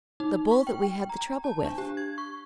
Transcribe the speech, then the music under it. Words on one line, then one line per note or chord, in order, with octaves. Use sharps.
The bull that we had the trouble with.
D#4
C#6
G5
G5
A#5
A5
D4
G4
G#6
C#6